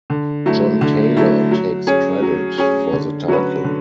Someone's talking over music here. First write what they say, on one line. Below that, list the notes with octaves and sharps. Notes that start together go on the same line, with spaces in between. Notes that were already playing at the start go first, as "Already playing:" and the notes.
John Taylor takes credit for the title.
D3
F#3 A3 E4
D3
F#3 A3 E4
F#3
C#4 G#4 C#5
F#3
C#4 G#4 C#5
D3
F#3 C#4 F#4 B4
D3